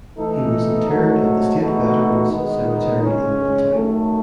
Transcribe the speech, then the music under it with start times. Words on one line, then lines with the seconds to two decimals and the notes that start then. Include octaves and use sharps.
He was interred at the State Veterans Cemetery in Middletown.
0.16 E3 A3 D#4 A4
0.88 G#2 F#3 A3 D#4 A4
1.59 E2 B2 A3 D#4 F#4
2.30 D#3 G#3 B3 D#4
3.02 C#3 G#3 C#4
3.74 F#2 D#3 A3